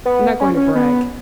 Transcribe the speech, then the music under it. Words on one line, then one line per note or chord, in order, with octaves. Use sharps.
I'm not going to brag.
B3
C#4
C#4
B3